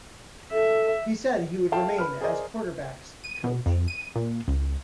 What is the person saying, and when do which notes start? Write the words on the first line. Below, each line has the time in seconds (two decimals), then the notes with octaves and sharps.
He said he would remain as quarterbacks coach.
0.52 A4 E5
1.72 A4 E5 F5 G5 A5
1.98 B4 B5 F6
2.21 G#4 A#4 C5 D5 D#5 G#5
3.24 D#7
3.44 B2
3.66 F2
3.88 D#7
4.16 A#2
4.48 C#2